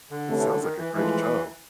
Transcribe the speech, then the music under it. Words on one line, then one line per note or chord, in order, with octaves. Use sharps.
It sounds like a great show.
D3
C3 E3 A3 C#4
D3
D#3
E3
A2 E3 F3 G#3